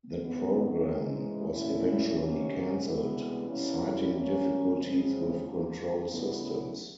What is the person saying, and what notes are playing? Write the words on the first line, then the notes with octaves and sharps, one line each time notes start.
That program was eventually cancelled, citing difficulties with control systems.
G#2 D#3 F#3 B3
G#2 E3 G#3 C#4
A#2 F#3 A3 C#4 E4
C3 D#3 F#3 A#3 C#4
D2 C3 E3 G#3 B3
B2 G3 A#3 C#4 E4
F3 A#3 C#4
C#3 F3 G#3 C4
G#2 F3 A#3
D2 C#3 F#3 B3 E4